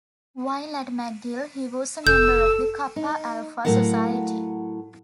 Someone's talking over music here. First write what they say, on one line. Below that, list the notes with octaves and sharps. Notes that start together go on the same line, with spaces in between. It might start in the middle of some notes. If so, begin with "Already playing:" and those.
While at McGill he was a member of The Kappa Alpha Society.
F1 A4 E6 G6
D#4
A2 F#3 A3 A#4 F5 F#5